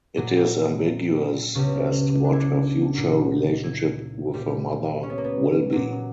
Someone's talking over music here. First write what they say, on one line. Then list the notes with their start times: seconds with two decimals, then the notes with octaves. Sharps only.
It is ambiguous as to what her future relationship with her mother will be.
0.17 A#2 F#3
1.55 C#2 C#3 G3 B3
2.24 D4
2.33 E4
2.40 D4
2.95 A#2 F#3
3.64 E4
4.34 A#2 G3
5.03 C#4
5.10 B3
5.18 A#3
5.24 B3
5.72 A#2 F#3